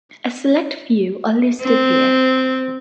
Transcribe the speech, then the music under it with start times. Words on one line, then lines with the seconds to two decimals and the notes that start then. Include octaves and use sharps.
A select few are listed here.
1.62 C4